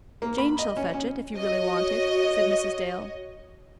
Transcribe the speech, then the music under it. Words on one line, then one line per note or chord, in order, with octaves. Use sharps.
"Jane shall fetch it, if you really want it," said Mrs. Dale.
A#3
B5
D#5
C#4
C#4
F#4 C#5 D#5